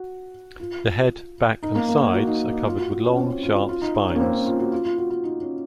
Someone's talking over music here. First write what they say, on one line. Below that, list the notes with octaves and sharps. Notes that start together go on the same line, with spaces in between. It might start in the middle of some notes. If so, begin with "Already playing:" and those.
The head, back and sides are covered with long, sharp spines.
Already playing: F#4
F4
D#4
A#3
A#3
A#3
F#4
D#4
D#4
F4
F#4
F4
C#4
C4
C#4
F4
F#4
F4
D#4
D#4
C#4
A#3
C4
C#4
F4
F#4
F4
F4
F#4
F4
D#4
C#4